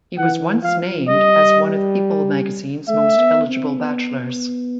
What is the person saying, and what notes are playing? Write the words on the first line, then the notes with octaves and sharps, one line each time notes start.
He was once named as one of People magazine's most eligible bachelors.
E3 F#5
F3 F5
G3 D#5
A3 E5
B3
C4
B3